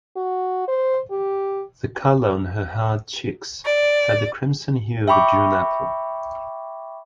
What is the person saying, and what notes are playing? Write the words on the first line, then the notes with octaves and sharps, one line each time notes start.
The color on her hard cheeks had the crimson hue of a June apple.
F#4
C5
G4
D5
E5 G5 B5 C#6 D6